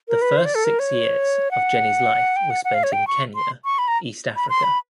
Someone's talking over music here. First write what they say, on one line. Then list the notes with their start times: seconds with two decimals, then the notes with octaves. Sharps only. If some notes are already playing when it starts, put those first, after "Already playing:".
The first six years of Jenny's life were spent in Kenya, East Africa.
0.09 A#4
0.22 B4
0.37 C5
0.45 D5
0.55 A4
0.65 A#4
0.79 C#5
1.51 F#5
2.36 G5
2.50 F#5
2.64 F#5
2.74 F5
2.83 C#5
2.92 G5
3.07 C#6
3.35 C6
3.65 C#6
3.78 B5
3.88 A#5
4.36 B5
4.49 C6
4.63 B5